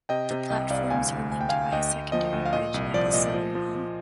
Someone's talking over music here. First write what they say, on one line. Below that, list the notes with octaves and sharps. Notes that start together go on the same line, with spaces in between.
The platforms are linked by a secondary bridge at the southern end.
C3 D#5 G5
C3
C2 D#5 G5
C2 D5 F5
D2 F5 G#5
D2
D2 G#5
G5
D2 F5 G#5
D2 D#5 G5
D2
F3 D#5
D2
F5
A#2 D#5
C2
F3 D5
A#2 D#5
F3
F3
F3